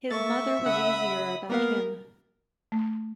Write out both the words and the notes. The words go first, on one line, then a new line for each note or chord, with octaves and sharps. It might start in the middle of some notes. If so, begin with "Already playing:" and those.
His mother was easier about him.
A3 A#3 E5 C#6 A6
C#3 F#5 B5 D#6
A#3 B3 A#4 F5
A3